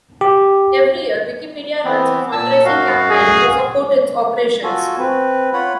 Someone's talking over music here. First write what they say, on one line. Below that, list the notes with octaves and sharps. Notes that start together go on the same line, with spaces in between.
Every year, Wikipedia runs a fundraising campaign to support its operations.
G4
E3 B3 C4
A#2 A5 E6
F#2 F#4 F5
G#4
F4 F#4 A4 G#5
C4 B4
F4 C#5 F#5 B5